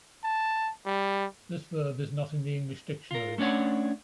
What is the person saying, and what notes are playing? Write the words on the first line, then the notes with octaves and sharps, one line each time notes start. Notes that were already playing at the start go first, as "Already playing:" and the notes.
This verb is not in the English dictionaries.
A5
G3
F4 A#4
A3 C#4 D4 C#5 F#5